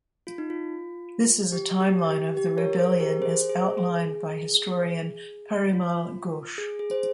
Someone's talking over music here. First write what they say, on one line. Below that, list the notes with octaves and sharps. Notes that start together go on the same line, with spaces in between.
This is a timeline of the rebellion as outlined by historian Parimal Ghosh.
F4
D#4
F4
G4
G4
G4
G4
A#4 C#5
G#4 C5
G4 A#4
G#4 C5
G#4 C5
G#4
F4
G#4
G#4
C5